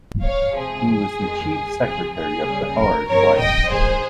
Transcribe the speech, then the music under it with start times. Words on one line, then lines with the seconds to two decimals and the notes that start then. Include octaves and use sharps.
He was the chief secretary of Bihar twice.
0.23 C#5 F5
0.55 C#2 C3 F3 G#4
1.18 F2 D#3 G#3
1.81 C#2 C3 F3 G#4
2.13 G#4
2.44 D#2 C#3 G3
2.75 A#4
3.07 G1 F2 C3 A#4 C#5
3.38 D#5 G5
3.70 G#1 G#2 D#3 G#3 G#4 C5